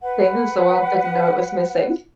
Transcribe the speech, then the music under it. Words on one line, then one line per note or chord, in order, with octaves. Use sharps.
Things the world didn't know it was missing.
B4 F#5